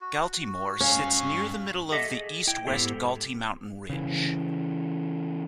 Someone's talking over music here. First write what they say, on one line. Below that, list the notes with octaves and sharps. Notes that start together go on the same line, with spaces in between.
Galtymore sits near the middle of the east-west Galty mountain ridge.
F#4
G2 C#4 F5
G4 A4 D#5 E5 F#5
G#4
E4 G5
G#2 B3 E4 G4 A4 C5
C#3 E3